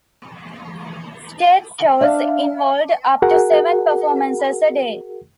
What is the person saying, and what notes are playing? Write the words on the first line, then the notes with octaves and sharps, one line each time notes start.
Stage shows involved up to seven performances a day.
D4 D5 E5 F5
F#4 G#4 A#4 F#5